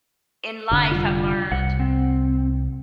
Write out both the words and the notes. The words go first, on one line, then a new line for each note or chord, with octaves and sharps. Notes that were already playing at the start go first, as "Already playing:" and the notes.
in life, have learned
F1 D3
G3 F4
C2 F#5
C4